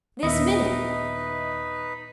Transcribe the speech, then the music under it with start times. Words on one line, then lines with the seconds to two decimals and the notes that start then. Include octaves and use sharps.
This minute!
0.23 D#2 A#2 B3 D#4 B4 D#5 E5